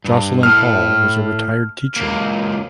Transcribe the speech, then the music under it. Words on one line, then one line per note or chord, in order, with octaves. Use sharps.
Jocelyn Paul was a retired teacher.
G2
A2 F6
C#2 A#3